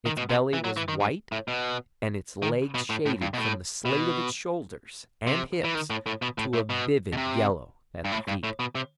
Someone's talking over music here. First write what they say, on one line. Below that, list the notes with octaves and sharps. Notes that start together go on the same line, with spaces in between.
Its belly was white, and its legs shaded from the slate of its shoulders and hips to a vivid yellow at the feet.
D#3
B2
C3
E3
F#3
E3
D#3
G2
A2
B2
D#3
B2
A2
A2
G2
B2
A2
B2
C3
E3
D#3
A2
A2
B2
A2
A2
B2
B2
C3
G2
A2
G2
A2
B2
C3